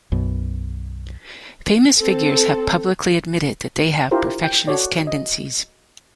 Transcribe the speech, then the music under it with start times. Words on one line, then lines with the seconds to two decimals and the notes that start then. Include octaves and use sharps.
Famous figures have publicly admitted that they have perfectionist tendencies.
0.12 B1 F#2 B2
1.99 C4 A4
4.11 D4 E4 F4 G4 A#4 C5
4.43 G5
4.67 F#4 A4 C#5 D5
5.07 D#5